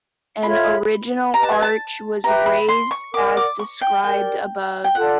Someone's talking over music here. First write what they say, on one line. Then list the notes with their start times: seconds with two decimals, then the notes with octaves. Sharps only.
An original arch was raised as described above.
0.43 F4 A4 C#5 E5 B5
1.33 G4 B4 D#5 A#5
1.43 A5
1.52 G#5
1.62 A5
2.24 G4 B4 E5 G5 A#5
2.46 B5
2.68 C6
2.91 C#6
3.14 A#4 D5 F#5 D6
3.37 D6
3.59 C#6
3.81 G5
4.04 G4 A#4 D5 G5
4.84 G5
4.95 F4 A4 D5 F#5